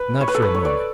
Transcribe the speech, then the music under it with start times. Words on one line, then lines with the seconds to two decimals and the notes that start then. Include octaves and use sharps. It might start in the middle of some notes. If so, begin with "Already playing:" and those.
Not for a moment!
Already playing: B4
0.21 C#5
0.28 B4
0.34 A4
0.42 B4
0.54 C#5
0.65 D5